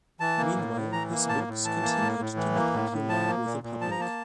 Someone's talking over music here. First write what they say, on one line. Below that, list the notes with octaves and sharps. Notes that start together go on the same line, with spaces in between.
Meanwhile, his books continued to be popular with the public.
E3 A5
A#3
A2
A2
E3 A#5
A#3
A2 A5
A2
E3 A5
A#3
A2
A2
E3
A#3
A2
A2
F3 A5
A#3
A#2
A#2
F3 A5
A#5
A#3 A5